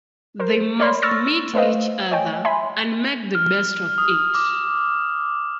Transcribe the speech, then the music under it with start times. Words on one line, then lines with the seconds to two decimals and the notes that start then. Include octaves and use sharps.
They must meet each other, and make the best of it.
0.39 A#4 C5
0.80 C#5 D5 B5 C6
1.02 C#6 E6 F6 A6 A#6
1.54 A3 B4 C5 D#5 F5
2.11 C#5 D#5 G5 G#5
2.45 E5 G#5 B5 C6
3.35 F6
3.98 D#6
4.34 D6